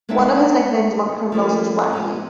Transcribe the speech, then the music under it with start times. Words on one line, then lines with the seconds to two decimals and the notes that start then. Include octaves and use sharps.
One of his nicknames among criminals was Blacky.
0.09 G#3 A#3 C4 D4 D#4 E5
1.32 F3 A3 A#3 C#4
1.93 F3 G#3